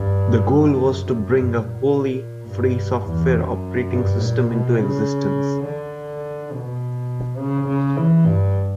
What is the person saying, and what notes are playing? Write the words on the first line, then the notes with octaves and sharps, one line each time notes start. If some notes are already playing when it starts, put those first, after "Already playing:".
The goal was to bring a wholly free software operating system into existence.
Already playing: G2
F#2
F#2
G2
A#2
G2
E2
F#2
G2
A#2
B2
C#3
D3
B2
C#3
C#3
E3
G2